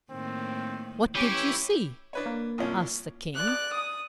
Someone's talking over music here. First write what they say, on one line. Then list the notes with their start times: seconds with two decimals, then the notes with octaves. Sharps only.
"What did you see?" asked the King.
0.11 A2 D#3 A#3 C4
1.15 E3 C#4 G4 C#5
2.13 D4 B4 C#5
2.26 A#3
2.58 C2 F3 C#4
3.35 D5 F#6
3.73 D#6